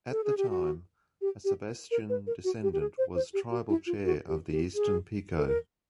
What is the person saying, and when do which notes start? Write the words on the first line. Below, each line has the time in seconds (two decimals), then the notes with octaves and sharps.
At the time, a Sebastian descendant was tribal chair of the Eastern Pequot.
0.11 A4
0.24 G#4
0.37 G4
0.50 F#4
1.21 G4
1.44 G4
1.91 A#4
2.09 B4
2.27 A#4
2.44 F#4
2.63 G4
2.73 G4
2.80 G#4
2.98 C5
3.16 C5
3.34 G4
3.51 F#4
3.69 E4
3.87 F4
4.05 F#4
4.28 G4
4.52 G4
4.75 G#4
5.38 A4
5.47 A#4